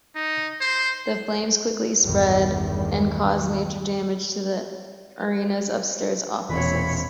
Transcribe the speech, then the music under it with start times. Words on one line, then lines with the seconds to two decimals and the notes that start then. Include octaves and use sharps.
The flames quickly spread and caused major damage to the arena's upstairs offices.
0.15 D#4
0.61 C5
2.03 A1 E2 G2 D#3 G3
6.50 E1 A#2 E3 C4 C#5 B5